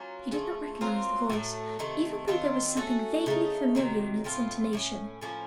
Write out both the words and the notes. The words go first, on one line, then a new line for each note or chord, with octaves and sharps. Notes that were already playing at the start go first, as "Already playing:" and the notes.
She did not recognise the voice, even though there was something vaguely familiar in its intonation.
Already playing: F#3 A#3 C#4 F4
C#3 F3 A3
F#3 C4 F4 A#4
A2 F#3 A3
C3 D#3 A3
D#3 F#3 C4 F4
A3 C#4 F#4 A4
C#3 A3 D#4
C3 D#3 F#3
A2 F3 C4 F4
A2 A3 C#4
A2 F3 A#3 C#4